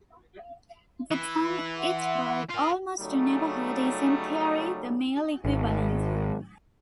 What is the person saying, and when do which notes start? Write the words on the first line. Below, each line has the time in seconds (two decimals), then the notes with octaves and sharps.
The term "It boy", almost never heard, is in theory the male equivalent.
1.11 E3 E4
1.76 E5 F#5 C6
2.49 F4 A#4
2.99 C#3 F#3 G3 A3 D#4
5.45 G#1